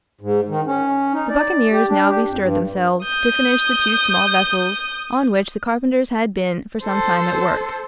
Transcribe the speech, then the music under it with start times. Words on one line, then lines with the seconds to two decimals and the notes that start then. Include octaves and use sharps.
The buccaneers now bestirred themselves to finish the two small vessels on which the carpenters had been for some time at work.
0.21 G#2
0.49 D#3
0.67 C#4
1.13 D#4
1.29 D5
1.71 G4
1.89 D4
2.09 G4
2.28 F2
2.42 G2
3.04 D#6 G6
6.83 A4 C5